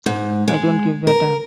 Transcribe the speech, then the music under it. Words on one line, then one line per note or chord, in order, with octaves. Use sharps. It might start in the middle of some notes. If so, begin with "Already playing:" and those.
I don't give a damn.
G#2
G#3
A#4